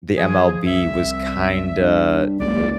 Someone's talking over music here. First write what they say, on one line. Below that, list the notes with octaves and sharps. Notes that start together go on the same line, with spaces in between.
the MLB was kinda l
F3 G#4
C2 E5
G2
F#1 C#2 D5